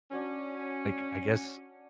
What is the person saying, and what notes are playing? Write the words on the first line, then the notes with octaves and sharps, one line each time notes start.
like, I guess,
C#4 D4 F#4 D5